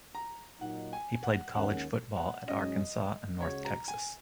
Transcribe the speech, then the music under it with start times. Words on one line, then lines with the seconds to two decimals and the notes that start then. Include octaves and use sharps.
He played college football at Arkansas and North Texas.
0.15 A#5
0.61 A#2 F#3 A#3 D#4 F#5
0.93 G#5
1.23 F#5
1.54 D#2 D#3 G#3 C#4 F#5
2.17 F#5
2.48 G#2 F#3 C#4 D#5
3.41 C#2 C#3 G#3 F#4 C#5
3.65 A#5
3.88 G#5